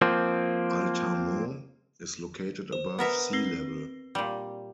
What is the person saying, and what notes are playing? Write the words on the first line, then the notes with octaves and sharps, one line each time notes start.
Altamont is located above sea level.
F3 A#3 C4
C5
B3 A#4 E5
C4 C7 G7
A#2 G3